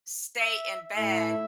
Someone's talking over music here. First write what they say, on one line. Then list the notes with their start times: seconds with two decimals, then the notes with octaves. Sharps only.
stay in bed,
0.40 E5
0.95 A2 A3 E4 E5